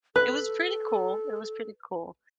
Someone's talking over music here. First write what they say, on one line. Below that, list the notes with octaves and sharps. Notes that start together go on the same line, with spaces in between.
it was pretty cool, it was pretty cool.
A4 B4 F#6